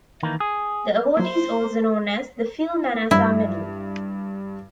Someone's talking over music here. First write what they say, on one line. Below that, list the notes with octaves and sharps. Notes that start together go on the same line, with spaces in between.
The award is also known as the Phil Manassa Medal.
D#3 E3 A#3 D#4
G#4
F#3 A#3 C5
G2 E4